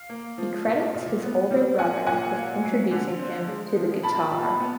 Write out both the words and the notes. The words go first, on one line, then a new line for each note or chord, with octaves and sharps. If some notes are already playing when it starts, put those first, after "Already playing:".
He credits his older brother with introducing him to the guitar.
Already playing: F5
A#3
F3
A#2
A#2
B3
G3
A#2 F#5 G#5
A#2 F#5 G#5
A#3
F#3
D3
C4
G#3
F3
A#2 A5 B5
A#2
B3